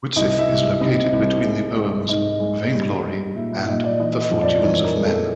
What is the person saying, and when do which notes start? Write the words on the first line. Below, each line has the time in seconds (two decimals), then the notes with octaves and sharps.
Widsith is located between the poems "Vainglory" and "The Fortunes of Men".
0.16 C2 D#5
0.39 E5
0.49 C2
0.81 C3 D#5
1.13 C2
1.44 G#3
1.77 G#3
2.08 G#2 D#5
2.39 G#3
2.72 G3
3.04 G3
3.35 A#2 E5
3.52 E5
3.67 A#2 D#5
3.84 D5
3.99 E3 D#5
4.21 D#5
4.31 F2
4.42 D5
4.63 E3 C#5
4.84 A#4
4.95 G#3
5.06 A4